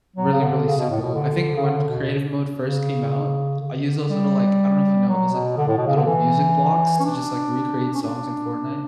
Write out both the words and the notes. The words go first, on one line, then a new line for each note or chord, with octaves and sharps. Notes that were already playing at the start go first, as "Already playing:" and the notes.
really, really simple. I think when Creative mode first came out, I used those little, like I don't know if you know those, like, little music blocks to just, like, recreate songs in Fortnite.
F#3
C#3
D3
C#3
B2
A2
B2
D3
C#3
D3
B2
C#3
D3
G3
F#3
B2
D3
A2
B2
C#3
D3
E3
C#4
D4
C#4
D4